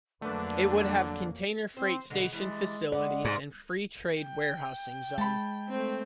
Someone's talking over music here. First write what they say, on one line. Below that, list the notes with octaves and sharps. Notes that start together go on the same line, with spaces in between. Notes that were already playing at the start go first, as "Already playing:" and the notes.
It would have container freight station facilities and free trade warehousing zone.
F2 D3 F#3 A3 A#3 D4 B4
C4 C5
B2 D3 G#3
E3 G3 G#3 D4
G#3 B4 D5 F#5
G#2 C3 F3 C#4
G5
G#3 A5 B5
A3 C4